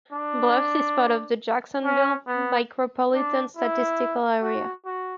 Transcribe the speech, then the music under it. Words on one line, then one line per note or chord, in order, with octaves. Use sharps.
Bluffs is part of the Jacksonville Micropolitan Statistical Area.
D4
C#4
B3
D4
E4
F#4
F#4